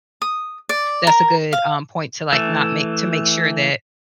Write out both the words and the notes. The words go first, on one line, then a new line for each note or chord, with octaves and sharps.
that's a good, um, point to like, not make to make sure that
D#6
D5
A#4
F5
E3 A3